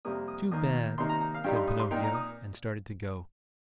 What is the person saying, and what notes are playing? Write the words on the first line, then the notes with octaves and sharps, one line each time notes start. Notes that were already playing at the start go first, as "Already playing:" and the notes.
"Too bad," said Pinocchio and started to go.
F2 C3 G3 A#3 D#6
D#6
D#2 D#3 A#3 D#6
C3 D#3 A#3 D#4 C6
A#5
A#5
F5
G2 G3 D#4 G5
C6
D#6
C6
A#2 A#3 D#4 G5
A#5
D#6